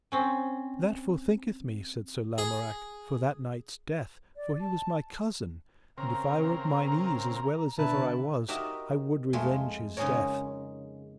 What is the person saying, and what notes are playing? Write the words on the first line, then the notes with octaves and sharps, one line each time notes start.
That forthinketh me, said Sir Lamorak, for that knight's death, for he was my cousin; and if I were at mine ease as well as ever I was, I would revenge his death.
C4 C#4
G#4
D5
A5
C#3 C4 A#4 A#5
B2 D3 D4 E4 B4 A5
D#4 F#4 G4 A#4 D#5 E5
F2 G#3 A3 F4
C#3 G#3 D#4 G#4 A#4 C#5